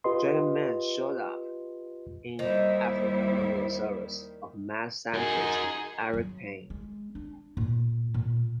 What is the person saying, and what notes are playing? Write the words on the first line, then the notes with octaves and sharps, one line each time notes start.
Dragon Man showed up in Africa under the service of mad scientist Eric Pain.
F4 G4 B4 D#5 C6
D#2 D#3 G3 E4 C5
D#4 F#4 G#4 A#4
F#3
G#3
D4
A#2
A#2